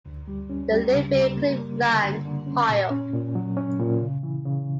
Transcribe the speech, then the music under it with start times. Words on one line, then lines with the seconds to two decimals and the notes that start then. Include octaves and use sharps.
They live in Cleveland, Ohio.
0.06 D2
0.28 G3
0.50 C#4
0.72 G3
0.94 C#3
1.15 G3
1.37 A#3
1.59 A#3
1.82 D3
2.03 D3
2.25 D3
2.47 C#4
2.69 A#2
2.90 C#4
3.14 A#2
3.35 F#3
3.57 C#4
3.79 A#2
4.00 C#3
4.23 E3
4.45 C#3